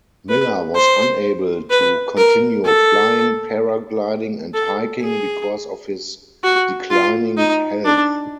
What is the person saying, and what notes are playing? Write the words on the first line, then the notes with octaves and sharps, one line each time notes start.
Miller was unable to continue flying, paragliding and hiking because of his declining health.
B4
C5
B4
A#4
A4
A4
G#4
F#4
F4
D#4
D4